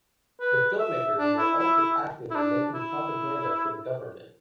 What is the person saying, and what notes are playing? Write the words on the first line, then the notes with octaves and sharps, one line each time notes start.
The filmmakers were also active in making propaganda for the government.
B4
E5
D4
E4
E4
E4
E4
D4
E4